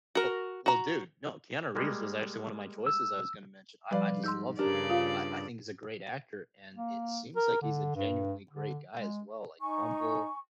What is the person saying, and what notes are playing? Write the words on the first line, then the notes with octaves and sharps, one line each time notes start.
Well well, dude, no, Keanu Reeves was actually one of my choices I was gonna mention. I I just love him. I I think he's a great actor, and it seems like he's a genuinely great guy as well, like, humble,
F#4 A#4
F#4 A#5
G3 G#3 A#3
E6
F3 G3 B4 D5 F5
G#2 C6 E6 G6
G2 C#3 D4 G4 A#4 D5
F4 F5
A#3
A#4
D3
G2
D3
G#3
D#4 G#5 C#6